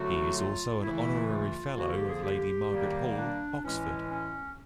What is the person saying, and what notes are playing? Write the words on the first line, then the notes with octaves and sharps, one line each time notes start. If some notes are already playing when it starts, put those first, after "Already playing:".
He is also an Honorary Fellow of Lady Margaret Hall, Oxford.
Already playing: D3 F#3 A3 F#4
F4
C#3 E3 A3 E4
F4
D3 F3 A#3 F#4
G4
G#4
G4
D#3 G3 A#3
D4
A2 E3 G#3 C#4
C#4